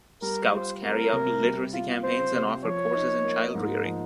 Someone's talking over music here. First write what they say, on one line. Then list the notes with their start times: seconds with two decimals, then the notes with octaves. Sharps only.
Scouts carry out literacy campaigns and offer courses in childrearing.
0.22 G3 A#4
0.52 F4 C5
0.83 C4 A#4
1.13 C3
1.43 G3
1.73 F4
2.04 C4 C5
2.33 C3
2.64 F3 C#5
2.95 D#4
3.25 A#3
3.55 G#2
3.85 F3